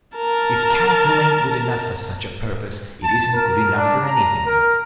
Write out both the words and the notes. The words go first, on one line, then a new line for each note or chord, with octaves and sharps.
If calico an't good enough for such a purpose, it isn't good enough for anything.
A#4 A5
A5
A#4
D4
A#5
A#4